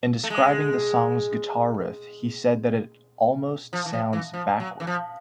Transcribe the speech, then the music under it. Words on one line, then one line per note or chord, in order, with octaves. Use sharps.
In describing the song's guitar riff he said that it "almost sounds backward".
A3
G#3
F3
E3
F3
E3
F3
F#3
E3
F3